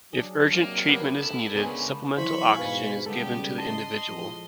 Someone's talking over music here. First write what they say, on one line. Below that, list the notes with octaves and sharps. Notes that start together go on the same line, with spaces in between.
If urgent treatment is needed, supplemental oxygen is given to the individual.
F#3 D4 G#4
C3 A#3 D5
C3 B3 D4 A#4
E4 A4
C#2 B3 C4 D4 G#4 B4 C#5 G#5
E3 F#3 E4 C5 B5 C#6
G#2 B2 B4 F5 G#5
C#3 G3 G#3 B3 G4 A4
D#5 A5 C6
A2 F3 G#3